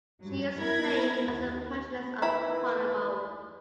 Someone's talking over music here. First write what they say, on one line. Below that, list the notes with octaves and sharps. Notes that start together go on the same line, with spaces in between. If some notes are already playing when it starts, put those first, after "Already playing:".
She is claimed as the patroness of Palermo.
G2 F#3
B3 E4 A#4 B5 G#6 A#6
D#2
D#3 E3 E4 B4 B5